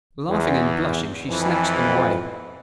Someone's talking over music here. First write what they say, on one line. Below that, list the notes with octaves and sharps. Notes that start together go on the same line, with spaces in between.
Laughing and blushing, she snatched them away.
E2
F2 E3